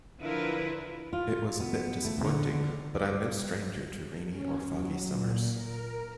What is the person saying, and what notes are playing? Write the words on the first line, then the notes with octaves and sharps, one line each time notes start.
It was a bit disappointing, but I am no stranger to rainy or foggy summers.
D3 F3 E4 F4 A#4 B4
F4
B3
A3
D3
D5
C#4
F#3
A#2
A#4